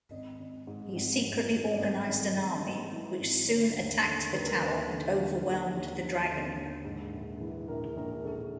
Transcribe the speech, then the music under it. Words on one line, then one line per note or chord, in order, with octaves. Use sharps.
He secretly organized an army which soon attacked the Tower and overwhelmed the Dragon.
G#1 D#5
G#1
G#2
G#1
G#1
G#1
D5
G#1 D#5
G#1
G#1
G#2 D#5
E3
G#1
D3 C#5
D#2
D3
D#2 B4
A#4
D#2 B4
D3
D3
D#2
D#2
D#2
D3
D#2
G#2
A#1
E3
A#1 A#4
A#1 A#4
A#1 A4